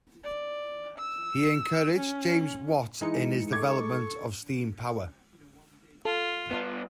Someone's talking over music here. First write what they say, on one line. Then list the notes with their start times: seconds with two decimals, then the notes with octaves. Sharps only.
He encouraged James Watt in his development of steam power.
0.23 D5
0.98 E6
1.96 C#4
3.01 E3 G#3 D#4 C#7
3.52 A4 C#6 D6 G#6
6.05 F4 A4
6.51 G2 B3